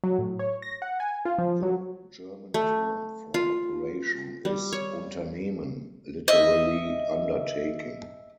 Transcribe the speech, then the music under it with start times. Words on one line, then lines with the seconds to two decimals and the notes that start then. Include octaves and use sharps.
The German term for "Operation" is "Unternehmen", literally "undertaking".
0.04 F#3
0.19 A2
0.39 C#5
0.62 A#6
0.82 F#5
1.00 G#5
1.25 F4
1.38 F3
1.63 F#3
2.54 A3
3.34 F4
4.45 G3
4.72 C#5
6.28 D#5 E5